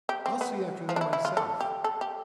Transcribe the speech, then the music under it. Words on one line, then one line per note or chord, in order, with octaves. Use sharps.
"I'll see after them myself."
G4
C4
B3
F3
D4
E4
E4
F4
A4
G4
A4
G4